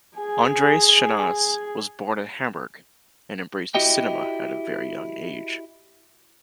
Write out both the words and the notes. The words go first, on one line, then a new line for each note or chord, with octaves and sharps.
Andreas Schnaas was born in Hamburg and embraced cinema at a very young age.
G#4 G#5
E4 F#4 G4 D#5 G5